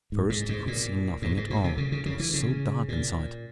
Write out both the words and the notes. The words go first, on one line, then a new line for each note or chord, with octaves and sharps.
At first he could see nothing at all, it was so dark inside.
G#2
G#2
G#2
A#2
G#2
G#2
A#2
C3
C#3
C#3
C#3
E3
C#3
A#2